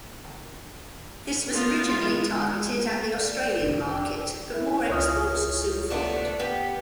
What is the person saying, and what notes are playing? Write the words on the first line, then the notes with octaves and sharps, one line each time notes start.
This was originally targeted at the Australian market, but more exports soon followed.
B3 F4
G#3
D5
F1 D4
D4 G5 E6
E4
C#2 E4 F4 C#5 D#6 F6
A3 B3 D4
B3 G4